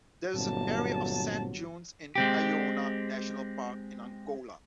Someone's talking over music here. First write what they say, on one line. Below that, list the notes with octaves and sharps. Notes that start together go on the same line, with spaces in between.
There is an area of sand dunes in Iona National Park in Angola.
G1 A#2 F#3 A#3 C4 A5
G#3 C4 G4